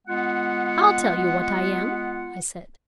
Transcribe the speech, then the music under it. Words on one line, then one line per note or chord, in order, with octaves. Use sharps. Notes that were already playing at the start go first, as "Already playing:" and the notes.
"I'll tell you what I am," I said.
G#3 B3 F4 F#5